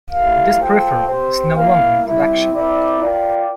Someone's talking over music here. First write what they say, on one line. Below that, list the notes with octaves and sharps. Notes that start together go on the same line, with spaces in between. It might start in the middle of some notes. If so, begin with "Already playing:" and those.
This peripheral is no longer in production.
A3 E4 G4 A#4 F5
F4 A4 C5 G5
C4 G4 C5
A#3 E4 A#4 F5
G3 C4 E4
C4 E4 A#4 D5
F4 A#4 D5 G5